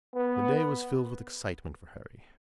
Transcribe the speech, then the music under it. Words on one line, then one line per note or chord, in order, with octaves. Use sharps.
The day was filled with excitement for Harry.
B3